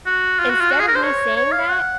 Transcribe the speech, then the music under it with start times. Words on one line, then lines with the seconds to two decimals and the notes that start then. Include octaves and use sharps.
instead of me saying that,
0.06 F#4
0.39 F4
0.50 F#4
0.61 F4
0.71 F#4
0.79 G#4
0.88 A#4
0.95 C5
1.03 C#5
1.37 C#5
1.52 F5
1.69 F#5